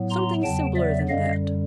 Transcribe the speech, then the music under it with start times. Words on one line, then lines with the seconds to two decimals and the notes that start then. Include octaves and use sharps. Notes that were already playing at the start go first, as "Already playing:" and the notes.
Something simpler than that.
Already playing: A2 F#3 B3
0.10 A#5 C6
0.43 E2 C#3 F#3 B3 G5 A5
0.76 D5 E5
1.09 F#2 D3 G3 D#5 F5